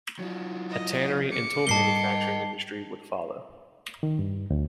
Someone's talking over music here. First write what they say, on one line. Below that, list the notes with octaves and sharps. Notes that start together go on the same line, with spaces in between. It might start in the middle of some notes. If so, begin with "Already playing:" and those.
A tannery and tool manufacturing industry would follow.
F#3 F4
D#5
D6 C#7
G#2 G3 A#4 D#5 A5 C7 G7
D#3
G2
D2